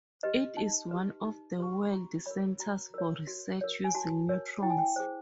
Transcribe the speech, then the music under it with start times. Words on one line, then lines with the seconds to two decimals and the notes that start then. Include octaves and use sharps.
It is one of the world centres for research using neutrons.
0.23 G4 B4 D#5
0.57 D#4 A5
0.91 G4 B4
1.25 D#4
1.58 G4 B4 C#6
1.73 C6
1.83 B5
1.92 F#4 A#5
2.26 A#4 C#5 B5
2.59 F#4 A#5
2.94 A#4 C#5
3.27 F#4
3.61 A#4 C#5
3.84 G#5
3.95 F#4 A5
4.29 A#4 C#5
4.63 E4 G5
4.70 G#5
4.78 G5
4.96 G#4 C5